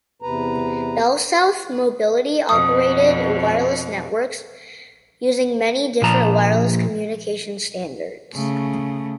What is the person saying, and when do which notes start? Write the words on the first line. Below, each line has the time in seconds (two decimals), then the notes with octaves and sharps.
BellSouth Mobility operated wireless networks using many different wireless communication standards.
0.22 E2 C3 B4 A#5
2.49 F2 B2 D#6
6.02 A#2 F3 A#5
8.33 C#3 A3